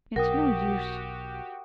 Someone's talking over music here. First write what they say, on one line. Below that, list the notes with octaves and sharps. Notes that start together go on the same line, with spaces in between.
It's no use.
B1 F#4 G4 A#4 F#5 G5 D#6